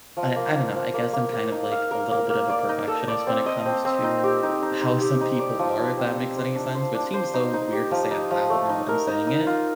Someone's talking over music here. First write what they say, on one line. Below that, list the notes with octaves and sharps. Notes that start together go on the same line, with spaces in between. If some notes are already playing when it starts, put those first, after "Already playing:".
I I don't know. I guess I'm kind of, like, a little bit of a perfectionist when it comes to how some people are, if that makes any sense. But seems so weird to say out loud now that I'm saying it.
F3
A#3
A#3
F3
A#3
A#3
A#3
D#4
F5
A#4
A#3
A#3
D5
D#4
A4
D5
C4
D#5
C4
C4
D#4
G4
D#4
D#4
D#4
G4
D#4
D5
F3
F3
C4
C4
C5
D4
C5
D4
C5
D#4
D#4
G4
F3
D#4
F3
A3
D#4
A#4
D#4
D#4
F4